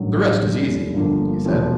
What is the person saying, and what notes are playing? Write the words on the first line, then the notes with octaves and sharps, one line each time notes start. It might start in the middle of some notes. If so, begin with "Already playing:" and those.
"The rest is easy," he said.
Already playing: A1 G2 D#3 F#3
F1 D#2 D#3 G3
G1 G2 D3 F3 A#3
E1 E2 C3 F3 A#3